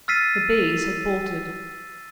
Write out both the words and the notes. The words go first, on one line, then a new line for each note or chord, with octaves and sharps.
The bays had bolted.
E6 F6 A6 B6 C7 D#7